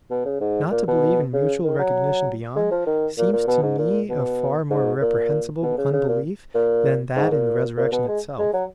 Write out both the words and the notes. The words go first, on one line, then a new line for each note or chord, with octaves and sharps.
Not to believe in mutual recognition beyond, seems to me a far more reprehensible unbelief than that in the resurrection itself.
B2
C#3
G#2
A#2
B2
C#3
D#3
F#3
G#3
F3
D#3
A#2
A#2
B2
G#2
A#2
B2
G#2
A#2
B2
C#3
C#3
A#2
A#2
G#2
A#2
A#2
B2
G#3
G#3
F#3